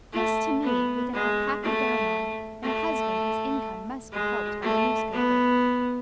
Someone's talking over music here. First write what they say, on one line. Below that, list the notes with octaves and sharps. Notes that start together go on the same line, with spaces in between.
This to me, with an alpaca gown on, and a husband whose income must be helped by a newspaper!
A3
B3
G#3
A3
A3
G#3
A3
B3